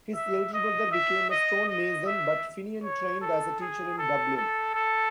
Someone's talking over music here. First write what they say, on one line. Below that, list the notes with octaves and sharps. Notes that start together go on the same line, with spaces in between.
His elder brother became a stonemason but Finian trained as a teacher in Dublin.
E5
D#5
E5
D#5
D#5
E5
C#5
A4
G#4
A4
A4
A4